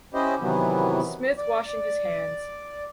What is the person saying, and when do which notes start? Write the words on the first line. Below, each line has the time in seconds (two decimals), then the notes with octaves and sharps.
Smith washing his hands!
0.14 C#4 E4 G4 C5 D#5
0.41 C3 D#3 E3 F#3 B3
1.38 D5